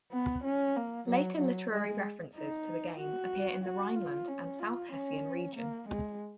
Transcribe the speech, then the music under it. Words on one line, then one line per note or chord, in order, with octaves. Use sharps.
Later literary references to the game appear in the Rhineland and South Hessian region.
B3
C#4
A#3
F#3
F#3
G#3
D#4
F#4
F#4
F4
C#4
F4
C#4
A#3
G#3